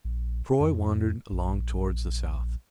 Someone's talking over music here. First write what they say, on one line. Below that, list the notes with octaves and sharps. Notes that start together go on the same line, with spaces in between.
Troy wandered along towards the south.
A#1
F2
A#1